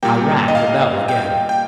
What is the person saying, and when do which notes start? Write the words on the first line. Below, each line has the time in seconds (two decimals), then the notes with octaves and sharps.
I rang the bell again.
0.03 A#2 G3 A#3 G5
0.48 D#5
0.55 F5
1.09 G5
1.49 G5